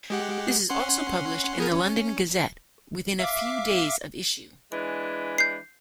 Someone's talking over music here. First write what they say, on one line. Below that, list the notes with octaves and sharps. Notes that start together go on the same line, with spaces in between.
This is also published in the "London Gazette" within a few days of issue.
G#3 G4 F#5
C#4 F#5 C6
B3 G#4 A#4
C#4
E5 F5 D6
E3 G#3 D4
G6 C7